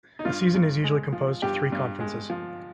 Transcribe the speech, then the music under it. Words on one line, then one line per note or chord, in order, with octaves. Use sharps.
A season is usually composed of three conferences.
D#4
G2 F4
G2
G#3
F3
G2 G4
G2
G#3
F3